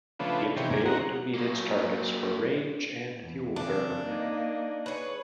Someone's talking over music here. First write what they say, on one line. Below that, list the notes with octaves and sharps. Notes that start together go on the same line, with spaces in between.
It failed to meet its targets for range and fuel burn.
C#3 F3 A3 B3 D4
C3 D#3 E3 C#4 G4
G#4 A#4 D5
F#3 C4 D#4 F#4 A#5
F#3 A#3
E2
C#3 C4 D4
A#3 D#4
G#4 B4 C#5